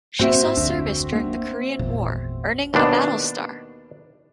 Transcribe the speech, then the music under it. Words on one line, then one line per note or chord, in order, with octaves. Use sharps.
She saw service during the Korean War, earning a battle star.
G#2 A#3 C4 F#4 E5
F1 D2 D4
A#3 D4
G#1 E2 A#2
D#2 B2 D4